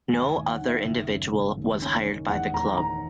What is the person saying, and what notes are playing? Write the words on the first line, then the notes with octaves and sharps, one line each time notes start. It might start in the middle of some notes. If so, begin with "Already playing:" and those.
No other individual was hired by the club.
D#2 G#5
G#5
D#2
F#5
D#3
E5
F#1
F#2
F#1
D#2
C#4
D#3
E2 F#5
E2 A#5
D#3 A#5